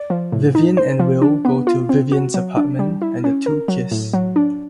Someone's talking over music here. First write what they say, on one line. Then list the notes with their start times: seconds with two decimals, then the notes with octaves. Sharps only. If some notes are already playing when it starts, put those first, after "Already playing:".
Vivian and Wil go to Vivian's apartment and the two kiss.
Already playing: D5
0.10 F3
0.32 A2
0.55 D#4
0.77 C5
1.00 F3
1.22 D4
1.45 B3
1.67 F4
1.89 C4
2.12 F#4
2.34 F#3
2.57 D4
2.79 G3
3.02 E4
3.24 C#4
3.46 A#4
3.68 F#3
3.91 A2
4.13 F#3
4.36 D4